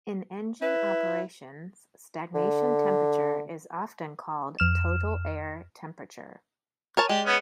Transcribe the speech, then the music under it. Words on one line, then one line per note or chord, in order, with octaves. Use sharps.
In engine operations, stagnation temperature is often called total air temperature.
E4 B4
D3
F2 F6 E7
A#4 C#5 A5
G#3 G4 D5
B3 C#4